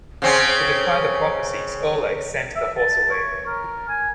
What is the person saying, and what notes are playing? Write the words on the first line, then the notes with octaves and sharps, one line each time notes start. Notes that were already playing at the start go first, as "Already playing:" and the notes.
To defy the prophecies, Oleg sent the horse away.
C#3 C4 C#4
E5
A5
C#5
A#4
G#5